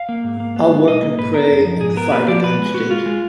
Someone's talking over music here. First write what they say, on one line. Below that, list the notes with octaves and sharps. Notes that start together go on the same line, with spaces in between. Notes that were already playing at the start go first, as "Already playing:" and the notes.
I'll work and pray and fight against it.
Already playing: F5
A#3
G#2
A#3
B3
G#3
B1 D#5
A#3
G#2 B4
B3 A#4
F#2
F3
G#2 G#4
B3 A#4
A#3 B4
F3 D5
B3 B4
G#3
B3 F#4
G#3 F4
G#3